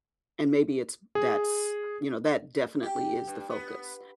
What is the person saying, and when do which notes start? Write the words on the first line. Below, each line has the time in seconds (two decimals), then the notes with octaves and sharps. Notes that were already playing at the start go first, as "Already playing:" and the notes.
and maybe it's that's, you know, that definitely is the focus,
1.15 G#4
2.83 G4
3.28 G2
3.50 B3